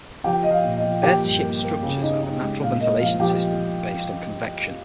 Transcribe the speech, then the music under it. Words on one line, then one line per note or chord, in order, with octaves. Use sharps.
Earthships structures have a natural ventilation system based on convection.
F3 G4 G5
F3 D#5
F5
A#2
D#5
F3
A#3 G4 G5
G2
A#3
A#3
C#3
D#4
D#4
G#3
A#2 F5
A#3 D#5
F3 F5
F3 G4 G5